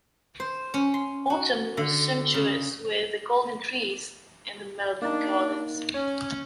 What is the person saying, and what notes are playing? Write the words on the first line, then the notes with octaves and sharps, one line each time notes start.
Autumn was sumptuous with the golden trees in the Meudon gardens.
C5
C#4
C6
F#4
D3
C#3
A#3 D4 D#4
C#4 C#5